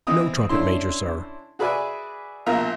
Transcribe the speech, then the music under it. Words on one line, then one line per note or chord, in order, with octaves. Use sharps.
'No, trumpet-major, sir.
E3 B3 C4 D#5 D#6
D3 C#4 D4 E4 C6
F#4 G#4 B4 D5 E5 G#5
A#1 B2 A#3 F4 E5 A#5